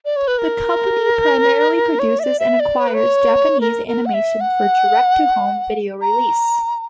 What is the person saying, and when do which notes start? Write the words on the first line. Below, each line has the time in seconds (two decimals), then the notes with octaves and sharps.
The company primarily produces and acquires Japanese animation for direct-to-home video release.
0.05 D5
0.16 C#5
0.27 B4
0.38 A#4
1.99 C#5
2.19 E5
2.23 D5
2.39 E5
2.60 D5
2.80 C#5
2.87 B4
2.94 C#5
3.61 A#4
3.87 A#4
4.06 F#5
4.14 E5
4.40 F#5
6.02 A#5